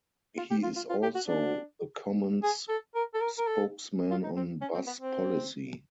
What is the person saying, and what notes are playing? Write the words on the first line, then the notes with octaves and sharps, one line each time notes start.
He is also the commons spokesman on bus policy.
F4
G4
F4
F4
F4
G4
F#4
D4
G#4
A4
A#4
A4
A#4
A#4
A4
F4
D#4
C4
C#4
C4
B3
C4